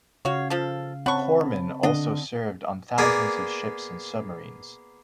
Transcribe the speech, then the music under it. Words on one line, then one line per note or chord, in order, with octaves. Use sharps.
Corpsmen also served on thousands of ships and submarines.
C#3 F#4 C#5 F5
F3 A4
C4 C#5 F#5 A5 B5 C#6
D3 D4 D#5
A#3 B3 G#4 D5